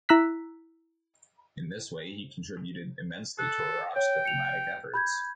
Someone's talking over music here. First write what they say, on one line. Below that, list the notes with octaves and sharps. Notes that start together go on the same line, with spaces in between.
In this way he contributed immensely to Iraq's diplomatic efforts.
E4 A#5 E6 F#6 B6
A4 F#6
C#5 G5
C#7 F7
B5 G6 G#6